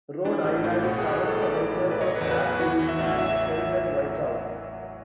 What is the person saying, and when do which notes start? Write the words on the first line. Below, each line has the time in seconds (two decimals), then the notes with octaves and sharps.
Rhode Island's current senators are Jack Reed and Sheldon Whitehouse.
0.25 E3 D4
0.44 A1
0.64 A2
0.83 B2 F#4
0.98 B1 G#4
1.13 G#4
1.23 B1 A4
1.42 A1 D5
1.61 E3
1.81 A1
1.91 B4
2.01 F#3 C#5
2.16 E2 B4
2.31 B4
2.39 E2
2.60 E3 F#4
2.79 E3
2.89 E5
2.99 A1
3.18 F#3 E5